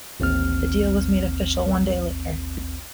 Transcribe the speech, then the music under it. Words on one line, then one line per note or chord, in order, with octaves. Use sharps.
The deal was made official one day later.
A1 D#2 C4 F6